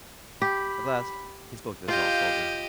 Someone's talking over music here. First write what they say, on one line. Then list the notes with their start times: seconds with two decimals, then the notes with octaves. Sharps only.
At last he spoke to the tall soldier.
0.42 G4 B5
1.88 F4 G4 D#5 F5 G6